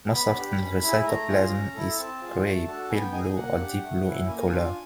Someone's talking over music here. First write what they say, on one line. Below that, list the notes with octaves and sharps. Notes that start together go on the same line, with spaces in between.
Most often, the cytoplasm is gray, pale blue, or deep blue in colour.
B3 B5
D4 G4
C#4
E4 G#4
A3 A#5
C#4 F4 G#4
C#4
E4 A4
C4 A5
F4 G#4
A3
D4 F#4 A4
B3 G#5
G5
D#4 G#4 G#5
G#5
A#3 F#5
D4 G4
A3
C#4 E4
A#3 G#5
D4 F4